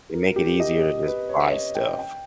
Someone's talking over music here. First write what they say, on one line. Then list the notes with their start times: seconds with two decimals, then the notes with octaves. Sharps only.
they make it easier to just buy stuff.
0.13 A#4
0.36 G4
0.60 D#5
0.82 D#5
1.06 B4
1.29 C#5
1.47 C#5
1.52 D#5
1.75 G5
1.99 G5